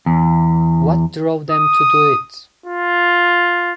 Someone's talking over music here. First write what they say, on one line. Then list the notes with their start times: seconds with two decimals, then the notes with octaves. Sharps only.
What drove them to do it?
0.06 E2
1.51 D#6
2.66 F4